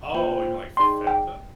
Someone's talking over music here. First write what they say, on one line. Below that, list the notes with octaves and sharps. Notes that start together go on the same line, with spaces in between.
Oh, you mean, like, Fanta?
A#3 F4 C5 G5
D#4 G#4 D5 G5 C6
G5